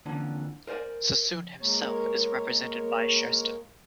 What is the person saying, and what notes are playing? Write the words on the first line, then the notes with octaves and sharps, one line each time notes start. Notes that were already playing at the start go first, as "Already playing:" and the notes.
Sassoon himself is represented by Sherston.
F2 A#2 D3 E3 C#4
A#4 C5 D5 G#5
G#3 A#3 A#4 C#5